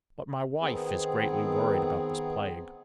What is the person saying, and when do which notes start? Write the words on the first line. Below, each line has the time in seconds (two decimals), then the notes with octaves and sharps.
But my wife is greatly worried about this plague.
0.61 D#3 B3 C4 G#4